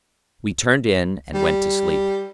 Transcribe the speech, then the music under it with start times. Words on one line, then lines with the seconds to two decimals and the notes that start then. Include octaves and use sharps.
We turned in and went to sleep.
1.34 G3